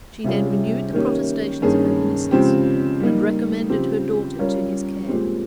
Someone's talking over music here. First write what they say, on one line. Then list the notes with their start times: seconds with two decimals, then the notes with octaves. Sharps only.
She then renewed the protestations of her innocence, and recommended her daughter to his care.
0.24 C3 G3 C#4 F4 G#4
0.93 D#3 A#3 C#4 G4
1.62 G2 D#3 A#3 C#4 G#4
2.31 C#3 F3 G#3 C4 G4
3.00 G3 A#3 D#4
3.69 C#3 F3 C4 G4
4.39 G3 C#4 F4 A#4 C#5
5.08 A#2 F3 G#3 C4 G4